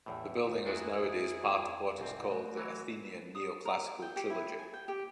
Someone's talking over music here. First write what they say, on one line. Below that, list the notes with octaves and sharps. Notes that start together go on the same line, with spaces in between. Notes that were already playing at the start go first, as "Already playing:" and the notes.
The building is nowadays part of what is called the "Athenian Neoclassical Trilogy".
A1 E2 A2 E5
D#2 D#4
F2 D#3 D4 E4 F#4 G#4
E1 C2 G#2 C4
A3 F#4
E3 F#3 C#5
D#6
A#4
G5
G4
E4
G#5
G5
G4